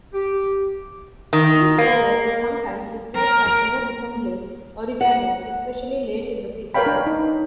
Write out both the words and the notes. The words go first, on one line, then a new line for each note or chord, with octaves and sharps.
This odor is sometimes described as more resembling oregano, especially late in the season.
G4
D#3
A#3
A#4
F#5
A#4 B4 C#5 F5 G5 B5
D4
D#4